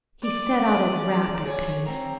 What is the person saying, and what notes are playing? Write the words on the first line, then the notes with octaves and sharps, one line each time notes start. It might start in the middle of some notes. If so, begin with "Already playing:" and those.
He set out at rapid pace.
D5
C#4 G#4
G#4 C#5
C4 A#5